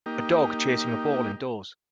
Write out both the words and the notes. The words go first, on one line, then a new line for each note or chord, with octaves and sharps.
A dog chasing a ball indoors.
A#3 D#4 G4